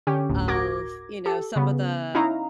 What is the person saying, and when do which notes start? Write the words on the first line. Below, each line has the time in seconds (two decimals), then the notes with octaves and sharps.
of, you know, some of the
0.07 D3 C#4 G4 G5
0.30 G1 D2 A2
0.48 F#4 A#4 D6 G#6 A#6
1.26 G4 A4
1.56 C#3 B3
2.15 C#4 D#4 E4 D#5 F5 A#5